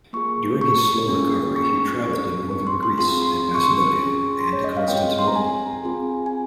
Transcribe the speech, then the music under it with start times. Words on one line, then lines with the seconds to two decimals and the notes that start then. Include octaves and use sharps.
During his slow recovery he travelled in northern Greece, and Macedonia, and to Constantinople.
0.13 A#3 F4 G#4 C#6
0.61 C#6
1.08 A#3 C#4 F4 G#4
1.56 C#6
2.03 C4 F4 G#4
2.51 C#6
2.67 C6
2.83 C6
2.98 C4 F4 G#4 C6
3.22 C6
3.54 C#6
3.64 C6
3.72 C#6
3.93 C#4 G#4
4.40 C6
4.53 C#5
4.64 D#5
4.77 F5
4.88 C4 F4 G#4 G5
5.19 C6
5.28 A#5
5.35 G#5
5.83 C4 F4 G#4
6.26 G#5